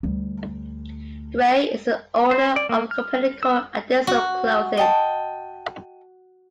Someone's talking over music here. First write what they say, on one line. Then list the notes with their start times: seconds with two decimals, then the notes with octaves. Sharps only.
Gray is the owner of a company called Adesso Clothing.
0.03 D2 G3
2.31 C5
2.56 D5
2.69 A#3
2.91 F6
3.43 E6
4.07 F#4
4.77 D#5 G5 A5